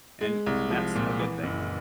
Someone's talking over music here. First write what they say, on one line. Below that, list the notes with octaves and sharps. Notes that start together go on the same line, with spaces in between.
and and that's a good thing.
G#3
C2
F3
A#2
E3
F#1